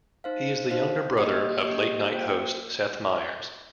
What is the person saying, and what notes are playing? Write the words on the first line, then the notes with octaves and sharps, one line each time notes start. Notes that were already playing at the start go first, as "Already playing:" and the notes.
He is the younger brother of "Late Night" host Seth Meyers.
D#4 C5 F5
D#4 C5 F5
A#3 G4 D#5
A#3 G4 D#5
A#3 F4 C5 G5